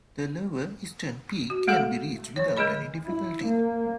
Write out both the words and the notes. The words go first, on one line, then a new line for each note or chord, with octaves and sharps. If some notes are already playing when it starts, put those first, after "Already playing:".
The lower, eastern, peak can be reached without any difficulty.
F#4
G#3 A3 G#4 A4 F5
F3 C#5
D3 G#3 G#4 D#5 B5
E4
A#3